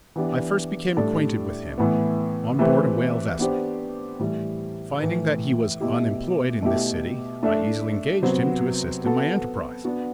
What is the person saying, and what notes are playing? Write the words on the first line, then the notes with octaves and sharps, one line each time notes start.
I first became acquainted with him on board a whale vessel; finding that he was unemployed in this city, I easily engaged him to assist in my enterprise.
E3 B3 D4 G4
A2 G3 D4 A4 D5
A2 E3 B3
E3 A3 C4 G4 B4
B3 D4 G4 C5
A2 E3 G3
A2 E3 A3 E4 B4
B2 A3 E4 G4
B2 A3 E4 G4
A3 D4 A4 E5
C3 F#3 B3 F#4 C5
B3 F#4 A4
B3 D4 F#4